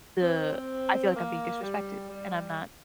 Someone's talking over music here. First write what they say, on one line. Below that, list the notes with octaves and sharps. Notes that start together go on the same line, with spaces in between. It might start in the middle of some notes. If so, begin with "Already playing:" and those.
the I feel like I'm being disrespected, and I'm not
C4
A#3
G3
G3